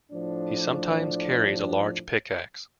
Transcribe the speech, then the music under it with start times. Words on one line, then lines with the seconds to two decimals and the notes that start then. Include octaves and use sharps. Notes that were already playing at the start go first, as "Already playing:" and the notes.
He sometimes carries a large pickax.
0.12 A2 F3 D4